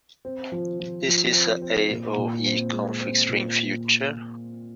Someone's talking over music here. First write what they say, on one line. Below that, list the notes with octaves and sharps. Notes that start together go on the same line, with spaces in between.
This is the AoE "config string" feature.
C4
F3
F3
F3
C4
C4
A#2
A#2
C4
G#3
C4
A#2